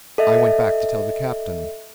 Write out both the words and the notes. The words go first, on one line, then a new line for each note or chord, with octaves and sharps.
I went back to tell the captain.
A4 D#5 E5